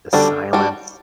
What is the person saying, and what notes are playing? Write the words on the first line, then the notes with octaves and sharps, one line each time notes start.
The silence.
D3 G3 D4 F#4
G3 D4 F#4